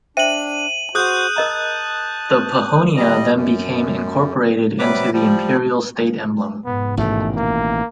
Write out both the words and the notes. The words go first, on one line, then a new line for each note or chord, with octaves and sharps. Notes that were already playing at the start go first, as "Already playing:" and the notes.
The Pahonia then became incorporated into the imperial state emblem.
D4 C5 E5 G5 D#7 F#7
F#4 G#4 C5 D#6 F#6 G6
A#4 D#5 A5 A#5
G3 D#5
F#2
C3 F#3 G3 B4 D6
F3 G3
F1 G#2 B3
A1 B2 D#3 A3
A#3